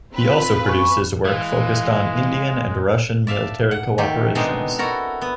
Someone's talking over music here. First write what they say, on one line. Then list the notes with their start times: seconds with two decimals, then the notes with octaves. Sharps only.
He also produced his work focused on Indian and Russian military cooperations.
0.11 C4 F4 B4
0.64 G#5 B5 C#6
1.25 E3 G#3 F5
3.27 D5 E5 F5 A5
3.71 F#5
3.98 D#3 A3 G4
4.35 B2 G#3 C4 D4 D#4
4.79 E4 F#4 A4 A#4
5.22 B3